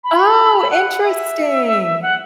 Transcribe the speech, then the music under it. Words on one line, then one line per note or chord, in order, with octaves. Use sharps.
Oh, interesting!
B5
F#5
E5
F#5